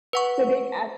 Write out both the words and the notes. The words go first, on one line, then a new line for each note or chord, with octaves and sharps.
sitting at
B4 F#5 C#6